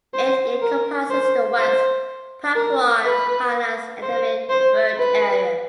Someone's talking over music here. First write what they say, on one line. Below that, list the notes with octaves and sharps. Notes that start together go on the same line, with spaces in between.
It encompasses the West Papuan highlands endemic bird area.
C5
A#4
C5
C5
A#4
B4
C5
C5
B4